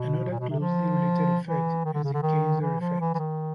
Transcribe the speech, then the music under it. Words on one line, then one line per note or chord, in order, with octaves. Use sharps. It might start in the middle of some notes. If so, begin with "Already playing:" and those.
Another, closely related effect is the Kaiser effect.
Already playing: B2
A#2
B2
C3
F3
E3
D#3
D3
C#3
D3
D#3
E3
F3
E3
E3
D#3